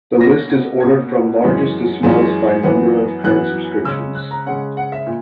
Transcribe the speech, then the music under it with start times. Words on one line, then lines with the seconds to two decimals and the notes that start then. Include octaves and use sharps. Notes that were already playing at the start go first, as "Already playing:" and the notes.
This list is ordered from largest to smallest by the number of current subscriptions.
0.20 B2 A#3 C#4 A#6
0.50 G#6
0.80 B2 A#3 C#4 G#6
1.42 F#2 E3 G#3 C#4
2.03 F#2 E3 G#3 C#4
2.63 F#2 E3 B3
3.24 F#2 E3 B3 F#6
3.85 C#3 G#3 C#4 E6
4.15 F#6
4.31 A#5
4.46 C#3 G#3 C#4 F#5
4.77 F#5
4.92 E5
5.07 A#2